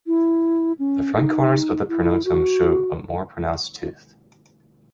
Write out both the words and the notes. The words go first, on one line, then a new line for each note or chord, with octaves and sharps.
The front corners of the pronotum show a more pronounced tooth.
E4
C#4
D#4
E4
F#4